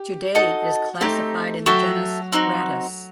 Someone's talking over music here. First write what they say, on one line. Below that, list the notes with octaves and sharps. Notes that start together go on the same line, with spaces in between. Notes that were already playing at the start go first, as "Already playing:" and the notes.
Today it is classified in the genus "Rattus".
Already playing: G4
D#4 F#4 A4 D#5
A3 C4 D#4 G4
F#3 F#4 A4 E5 G5
C4 D#4 F#4